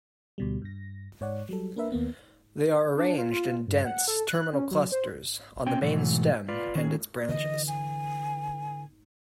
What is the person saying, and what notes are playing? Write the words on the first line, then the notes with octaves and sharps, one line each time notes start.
They are arranged in dense, terminal clusters on the main stem and its branches.
D2 B2 G3
G2 A#6
G#2 C#5 D5 F#5
F#3 G3 A4
A#3 D4 A#4 B4 E5
D#2 A#3 B3
D4
F4
F4
G2
F#5
A4
F#6
C#4
F#3
C5
C3 C#4 G5
G#2 B2 E3 F#3 A3
F4 B4 D5
D#3 C#4 G#4
D3 E3 D#5
G#5